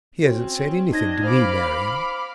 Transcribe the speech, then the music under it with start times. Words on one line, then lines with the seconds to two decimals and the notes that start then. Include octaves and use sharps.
'He hasn't said anything to me, Marian.'
0.23 C4 C#4 F#4 C#5
0.92 D4 D#4 D#5 G#6 A#6
1.24 C5 F5 B5 D6